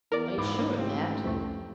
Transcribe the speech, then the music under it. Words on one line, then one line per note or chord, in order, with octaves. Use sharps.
"Are you sure of that?"
E2 A#4 D5
A#1 G#2 B3 D6
A#3
A1 C4
C2 F2 A3